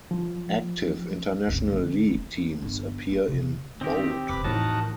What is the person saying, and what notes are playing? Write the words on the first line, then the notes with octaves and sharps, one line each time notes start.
Active International League teams appear in bold.
F3
C2 F#2
D3 A#3
E3
G1
A#3
C3
D#3 C4 G4
F1 B4 D6
A2 E3 F3 A#3 D#4 F#4 A#4 A5